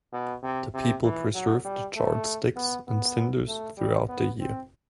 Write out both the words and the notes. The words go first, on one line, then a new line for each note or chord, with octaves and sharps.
The people preserve the charred sticks and cinders throughout the year.
B2
C3
C3
E3
F#3
G3
A3
B3
B3
A3
G3
B3
C4